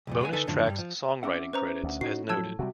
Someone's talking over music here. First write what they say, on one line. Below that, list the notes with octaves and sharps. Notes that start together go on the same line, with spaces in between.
Bonus tracks songwriting credits as noted.
C2 F2 A#2
G#3 B3 G#5
D3 D#4 A4 B4 G#5
F#2 A2 D3 D#3 F3
G2 G3
F3
C4 C#4 E5 F#5 D6
C#4 B4 C5 A#5
D2
A2 D#4 F#4 C7
F3 F#3 A5 E6 G#6
C3 G3 F#4